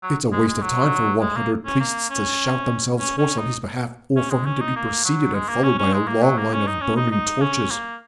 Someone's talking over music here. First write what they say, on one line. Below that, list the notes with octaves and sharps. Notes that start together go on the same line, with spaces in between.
It's a waste of time for one hundred priests to shout themselves hoarse on his behalf or for him to be preceded and followed by a long line of burning torches.
F#3
G#3
G#3
F#3
G#3
A#3
C#4
A#3
C#4
C#4
C#4
D#4
C#4
G#3
C#4
D#4
A#3
F#3
G#3
A#3
C#4
C#4
G#3
A#3
F#3
A#3
C#4
D#4
C#4
D#4
D#4
C#4
A#3